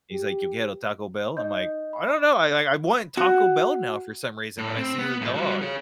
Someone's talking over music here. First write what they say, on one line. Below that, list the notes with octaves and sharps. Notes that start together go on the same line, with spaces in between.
He's like, “Yo Quiero Taco Bell?" I'm like, "I don't know." I I I want Taco Bell now for some reason when I see the dog.
G4
D#4 D#5 G6
D#5
B5
F#4
A2
C4
B3
F#2 A2
G3 F#4
G#4 C#5